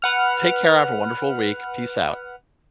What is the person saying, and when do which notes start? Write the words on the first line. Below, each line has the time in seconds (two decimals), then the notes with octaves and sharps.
Take care, have a wonderful week, peace out.
0.02 B4 F#5 F6